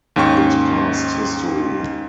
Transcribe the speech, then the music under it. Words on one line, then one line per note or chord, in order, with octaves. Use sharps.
It's past history.
D#2 G#2 C#4 G5 C#6